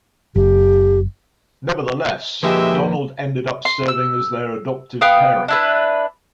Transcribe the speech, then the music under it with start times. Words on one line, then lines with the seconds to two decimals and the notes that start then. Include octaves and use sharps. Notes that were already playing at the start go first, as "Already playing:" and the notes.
Nevertheless, Donald ended up serving as their adoptive parent.
0.36 F#1 G4
2.43 D3 F3 G#3 A#3 F#4 G4 B4 E5
3.65 C6
3.88 E6
5.01 B3 F5 G5 D#6
5.48 D4 E4 B4